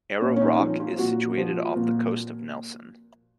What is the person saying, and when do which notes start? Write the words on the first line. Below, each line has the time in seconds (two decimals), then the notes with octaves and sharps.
Arrow Rock is situated off the coast of Nelson.
0.21 A#2 C#4
0.36 C#4
0.41 D#4
0.60 F3
0.80 F4
0.98 A#2 F#4
1.38 F3
1.76 A#2